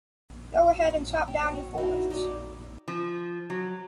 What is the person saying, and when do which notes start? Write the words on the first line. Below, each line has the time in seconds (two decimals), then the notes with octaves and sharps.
Go ahead and chop down your forests.
0.73 F#4
0.88 F#2 C#4
1.28 C#5 G5 A5
1.43 F#4 C#5
1.78 B2 A#3 D#4 E4 F#4
2.10 F#3 D#4 G4 A4 C#5 D5
2.88 F3
3.50 F#3